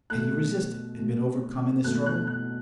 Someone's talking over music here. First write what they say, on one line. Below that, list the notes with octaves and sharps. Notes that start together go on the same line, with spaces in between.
Had he resisted, and been overcome in the struggle?
B2 A3 F#6
B2 A3
B2 A3 F#6
F#6
F#6